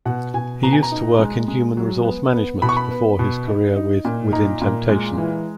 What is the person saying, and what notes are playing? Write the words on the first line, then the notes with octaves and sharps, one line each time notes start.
He used to work in human resource management before his career with Within Temptation.
B2 F#5
B2 G#5
B2 A#5
G#5
A#5
D#4
G#3
G#3
F#3
B3
B3
B2 B5
C#6
B5
B3
B2
D#4
D#4
A#2
D#4 A#5
A#2
G#3
E3